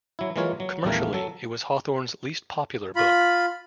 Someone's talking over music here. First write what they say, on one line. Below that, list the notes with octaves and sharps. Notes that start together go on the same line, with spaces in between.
Commercially, it was Hawthorne's least popular book.
F#3 E4
E3 F#3 G#3 A#3 F4 C#5
F#3
A#1 E2 G3 A3 A#3 A#4
F#3 A4
F4 B5